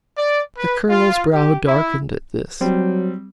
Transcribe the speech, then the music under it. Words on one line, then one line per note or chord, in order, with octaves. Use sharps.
The Colonel's brow darkened at this.
D5
B4
F4
G4
E4
F#3 G3 C4